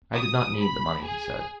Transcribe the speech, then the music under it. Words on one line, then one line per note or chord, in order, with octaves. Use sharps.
"I did not need the money," he said.
D#6
B5
G#4